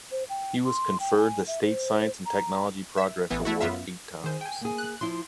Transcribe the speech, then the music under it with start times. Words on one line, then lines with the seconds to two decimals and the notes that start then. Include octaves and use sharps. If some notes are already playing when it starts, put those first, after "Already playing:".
He was conferred the State Science and Technology Progress Award eight times.
0.12 C5
0.30 G5
0.64 C6
1.00 G5
1.18 G#5
1.47 E5
1.62 C5
2.26 A#5
2.98 E5
3.30 A1 E3 B3
3.45 A3 E4 F#4
3.61 F#2 B3 F4 E5
4.24 D#3 G#4 C5
4.41 G5 G#5
4.61 A#3 G#4
4.78 F#6
5.01 F3 E4 C6